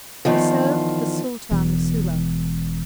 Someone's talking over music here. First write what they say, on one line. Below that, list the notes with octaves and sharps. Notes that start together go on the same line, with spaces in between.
We served the Sultan of Sula.
E2 D#3 F3
E1 E2